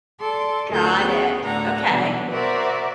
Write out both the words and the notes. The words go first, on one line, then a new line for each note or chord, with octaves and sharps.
Got it, okay.
A4 D5 C6
D2 D#3 F4 A4 G6
B3 C#4 G#4
D2 A2 D3 F#5 A#5
B2 D3 E3 F#3 G3 B3
F#4 A#4 C5 D5 E5